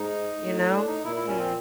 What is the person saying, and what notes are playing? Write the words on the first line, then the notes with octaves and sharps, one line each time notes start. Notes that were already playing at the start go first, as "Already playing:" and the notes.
you know? Mm.
Already playing: G#2 D#4
A2
D4
D#4
A#2 E4
E4
C#4
C4